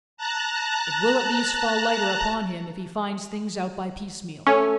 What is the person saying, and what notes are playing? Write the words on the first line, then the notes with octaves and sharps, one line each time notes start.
It will at least fall lighter upon him if he find things out by piecemeal.
A5 A#5 F#6
A3 C#4